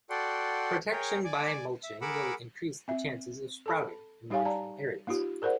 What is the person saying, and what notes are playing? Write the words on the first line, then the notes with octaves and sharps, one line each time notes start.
Protection by mulching will increase the chances of sprouting in marginal areas.
F#4 A4 D5 F#5 G5 C6
G#4 A#4 C#5 G5
D5 G#5 D6
E5
G#4 A#4 F#5 B5 D6 E6
C4 E5
A4 A5 B5
G3 D#4 G4 C#5 F5 G#5
D5 A5 A#5
A#3 D#4 F4 G4
G#4 A#4 C5 D5 F#5